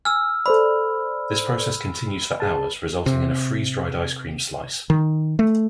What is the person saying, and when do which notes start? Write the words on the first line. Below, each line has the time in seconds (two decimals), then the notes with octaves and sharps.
This process continues for hours, resulting in a freeze-dried ice cream slice.
0.05 G#5 E6 F6
0.46 A4 C5 D5 B5
2.40 G#4 A5
3.06 C3
4.90 D#3
5.39 A3